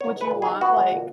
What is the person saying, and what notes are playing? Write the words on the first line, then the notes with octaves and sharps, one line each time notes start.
Would you want, like,
B3 C#5
G#3 B4
A#2
G#4
D#4
B3 F#4
G#3
A#2